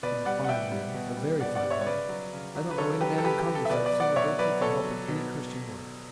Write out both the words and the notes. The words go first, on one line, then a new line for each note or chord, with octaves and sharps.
He's a fine man, a very fine man. I don't know any man in congress I'd sooner go to for help in any Christian work.
B2 B4 D5
G3 D5 F#5
F#5
B2 E5 G5
G3
B2
G3
B2 D5 F#5
D5 F#5
G3
C#5 E5
C#5
C#3 B4 D5
F#3
C#3
F#3
B4
C#3 A4 C#5
F#3 G4 B4
A4
C#3 G4 B4
G4
F#3
A4
E5
B2 B4 D5
B4 D5
F#3
D5 F#5
B2 C#5 E5
F#3 B4 D5
B2 A4 C#5
F#3
B2